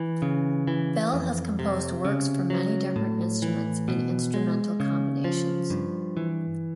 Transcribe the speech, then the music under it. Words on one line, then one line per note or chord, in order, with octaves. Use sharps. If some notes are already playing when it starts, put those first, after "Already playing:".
Bell has composed works for many different instruments and instrumental combinations.
Already playing: E3
C#3
E3
F2
C3
C#3
F#3
A2
E3
B2
G#3
C#3
F3
G2
E3